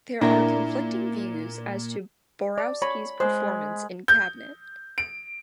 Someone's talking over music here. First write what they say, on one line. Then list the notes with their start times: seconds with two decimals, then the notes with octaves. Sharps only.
There are conflicting views as to Borowski's performance in cabinet.
0.21 A#2 D4 E4 A#4
2.58 D5
2.82 C#5 B5
3.20 G#3 C5
4.08 G6
4.98 D7